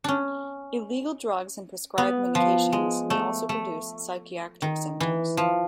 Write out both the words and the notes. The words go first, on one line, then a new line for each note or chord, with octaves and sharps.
Illegal drugs and prescribed medications may also produce psychiatric symptoms.
C#4 D4
B3
F3
G#3
A3
A3
D#3
E3
F3